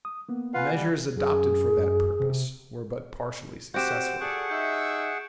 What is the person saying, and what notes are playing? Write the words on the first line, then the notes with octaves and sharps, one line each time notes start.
The measures adopted for that purpose were but partially successful.
D#6
A#3 B3
F4 B4 F5 F#5 G#5
G3
F#2 G#4
F#2
C3
C4 F#4 G4 C5 F#5 G6 D7 E7
G#4 A4 D5 F#5 C#6
D#4 E5 G6